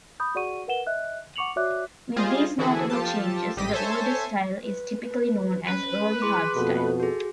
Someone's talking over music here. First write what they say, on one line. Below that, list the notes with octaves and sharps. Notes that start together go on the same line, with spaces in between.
With these notable changes, the older style is typically known as "early hardstyle".
B5 D#6 G6
F#4 G#4 D5 F#5 C#6 D#7
A#4 B4 F#5 E7 G7
D#5 E5 F#6
F#5 C#6 D6 C#7 F7 F#7
F#4 C#5 D5 E5 D6 F#6
G3 F4 G#4 C5 D#5
D3 E3 E4 F#4 G#4 A4
F3 F4 G4 A4 A5
A1 G3 G4 D#5 B6 D#7
A4 C5 C#5 E5 G#5 A5
B4
B4
C#4 B4
E4 G#4 C6 D6
F2 B2 A#3 A4
F#4 G#4 A4